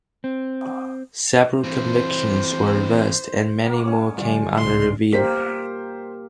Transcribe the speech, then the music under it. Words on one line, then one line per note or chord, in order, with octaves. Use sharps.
Several convictions were reversed, and many more came under review.
C4
E3 C4 C5
C#4 C#5
D3 G3 F4 D5 G#5
C2 A2 C#3 C6
A#3 G4 A#4 C5 B6